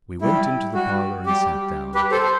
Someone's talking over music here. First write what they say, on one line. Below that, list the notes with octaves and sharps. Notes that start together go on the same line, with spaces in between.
We went into the parlour and sat down.
G3 E4
G3 F#4
G3 G4
G4 B4
A4 C5
C5